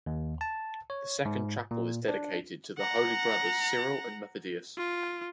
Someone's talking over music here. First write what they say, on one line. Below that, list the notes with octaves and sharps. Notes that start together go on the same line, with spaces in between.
The second chapel is dedicated to the Holy Brothers Cyril and Methodius.
D#2
A5
C#5
G#2
A#2
D4
F#5 A#5
F4